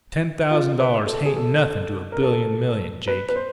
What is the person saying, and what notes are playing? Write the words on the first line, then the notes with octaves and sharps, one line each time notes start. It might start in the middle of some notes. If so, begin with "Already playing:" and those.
"Ten thousand dollars hain't nothin' to a billion million, Jake."
F4
B4
A4
G#4
A4
A#4
A4
B4
B4
C5